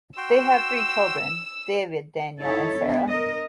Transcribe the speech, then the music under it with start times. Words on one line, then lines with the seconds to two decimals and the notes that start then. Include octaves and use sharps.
They have three children: David, Daniel and Sara.
0.17 F#4 G5 C6 E6
2.41 D#4 E4 A4 C#5
2.79 B3 D4
3.08 A#4 D#5